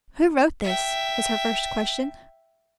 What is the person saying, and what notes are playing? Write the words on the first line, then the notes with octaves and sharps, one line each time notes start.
"Who wrote this?" was her first question.
E5 G5